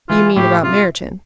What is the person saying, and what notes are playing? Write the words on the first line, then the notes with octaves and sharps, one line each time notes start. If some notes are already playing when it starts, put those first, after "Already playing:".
"You mean about Merton?"
E3 F4
A2 G4
C3 F4